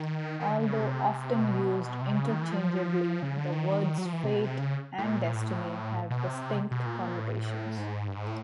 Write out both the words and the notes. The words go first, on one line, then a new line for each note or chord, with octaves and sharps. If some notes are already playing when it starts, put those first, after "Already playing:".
Although often used interchangeably, the words "fate" and "destiny" have distinct connotations.
Already playing: D#3
D#3
D3
D3
C#3
C3
B2
C3
C#3
D#3
E3
F3
C#3
D3
D#3
F#3
F3
E3
C3
B2
C3
C#3
A2
A#2
A2
B2
C3
B2
A#2
A2
G#2
G2
G#2
A2